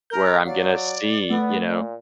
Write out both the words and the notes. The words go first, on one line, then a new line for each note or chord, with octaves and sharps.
where I'm gonna see, you know,
A#4 G6
F#3 D5 F5
A3 B3
A#2